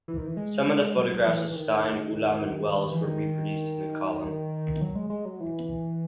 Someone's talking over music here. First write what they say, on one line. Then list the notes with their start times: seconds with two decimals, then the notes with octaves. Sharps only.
Some of the photographs of Stein, Ulam, and Wells were reproduced in the column.
0.08 E3
0.17 D#3
0.27 E3
0.37 G#3
0.67 G#3
0.96 F#3
1.26 E3
1.51 E3
1.56 D#3
2.93 E3
3.04 D#3
4.81 F#3
4.95 G#3
5.10 G#3
5.25 F#3
5.40 E3